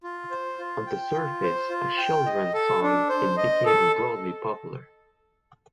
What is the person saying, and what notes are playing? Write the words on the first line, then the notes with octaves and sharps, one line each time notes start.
On the surface a children's song, it became broadly popular.
F4
C5
F4
G5
F4
C5
F4
G5
D#5
A4
D4
C5
D#5
A4